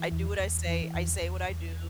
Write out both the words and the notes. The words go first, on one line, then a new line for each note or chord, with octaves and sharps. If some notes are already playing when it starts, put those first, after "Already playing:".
I do what I say, I say what I do.
Already playing: E3
E2
E2
E3
E2
E2
E2